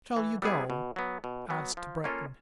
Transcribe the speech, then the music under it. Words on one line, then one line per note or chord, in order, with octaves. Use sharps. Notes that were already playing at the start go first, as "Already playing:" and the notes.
"Shall you go?" asked Breton.
E3
G3 B3 E4 G#4
B2
F#3 B3
B2
F#3 B3
F3
A#3 C#4 F4 A4